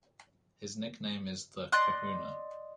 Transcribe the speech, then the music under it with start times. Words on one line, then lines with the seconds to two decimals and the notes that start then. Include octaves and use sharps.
His nickname is "The Kahuna".
1.72 D5 D#5 C6 F#6